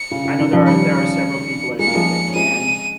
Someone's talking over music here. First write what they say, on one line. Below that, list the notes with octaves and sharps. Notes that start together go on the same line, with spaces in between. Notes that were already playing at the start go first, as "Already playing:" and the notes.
I know there are there are several people I've met that can,
Already playing: C#7
C#3
C#3
D#3
C#3 F3
D#3 G3 C#7
G#3 C#7
A#3
F3 G#3
C#4
G#3 C4 D#7